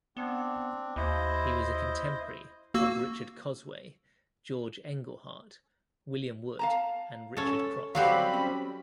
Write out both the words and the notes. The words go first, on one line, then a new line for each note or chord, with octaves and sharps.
He was a contemporary of Richard Cosway, George Engleheart, William Wood and Richard Crosse.
B3 C4 D4
D#2 E4 C5 D#5
A#3 F#4 E6
F5 A5 A#5
C#4 A4
F#3 G3 C4 F#4 G4 F5 B5
C#4